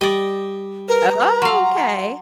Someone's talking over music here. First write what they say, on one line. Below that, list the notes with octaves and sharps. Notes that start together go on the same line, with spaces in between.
Oh, okay,
G3 D5 D#5
A#4 B4
A#5
F#3 F5 C6